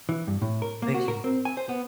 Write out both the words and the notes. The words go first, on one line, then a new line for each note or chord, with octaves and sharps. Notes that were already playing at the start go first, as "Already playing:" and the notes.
Thank you.
E3
G2
A2
A#4
A#3
F#4
A#4
C4
G#5
C5
B3